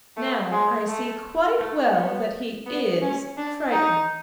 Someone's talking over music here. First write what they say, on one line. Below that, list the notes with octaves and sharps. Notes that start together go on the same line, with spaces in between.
Now I see quite well that he is frightened.
A3
G#3
A3
A3
B3
B3
C#4
D4
D#4